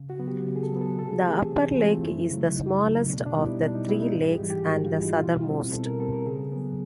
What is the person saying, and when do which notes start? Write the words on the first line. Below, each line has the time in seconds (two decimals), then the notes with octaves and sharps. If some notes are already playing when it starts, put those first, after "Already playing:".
The Upper Lake is the smallest of the three lakes, and the southernmost.
Already playing: C#3
0.10 F#4
0.20 F#3 B3
0.28 G4
0.45 C#3
0.56 G#4
0.63 A4
0.72 F#3 B3
0.81 A4
0.98 C3 A4
1.08 G#4
1.18 G4
1.24 E3 A3 C4 G#4
1.51 C3
1.77 E3 A3 C4
1.91 F4
2.03 F#2 E4
2.31 C#3 F#3 A3
2.56 F#2 D#4
2.82 C#3 F#3 A3
3.09 B2 D4
3.26 D4
3.36 G3 B3 E4
3.44 D#4
3.62 B2 D4
3.75 D#4
3.88 G3 B3 E4
4.01 D#4
4.14 G#2 F4
4.28 G#4
4.33 G4
4.41 E3 G3
4.50 G4
4.67 G#2 F#4
4.86 F4
4.94 E3 G3
5.03 D#4
5.15 F4
5.20 B2 E4
5.46 G3 C4
5.73 B2 A4
5.86 A#4
5.99 G3 C4 A4
6.13 A#4
6.26 C#3 G#4
6.52 F#3 B3